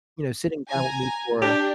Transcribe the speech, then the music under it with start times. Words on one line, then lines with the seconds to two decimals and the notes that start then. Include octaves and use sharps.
you know, sitting down with me for
0.69 G#5 A#5
1.42 D4 G4